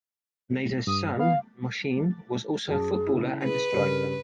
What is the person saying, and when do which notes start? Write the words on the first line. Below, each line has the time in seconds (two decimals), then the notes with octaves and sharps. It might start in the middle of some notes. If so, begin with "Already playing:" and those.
Nader's son, Mohcine, was also a footballer and a striker.
0.87 G2 D#6
1.19 B3 F5
2.68 F#2 G#4 A5
3.07 C#3 E4
3.43 G#4 B4
3.73 G2 C#3 A#4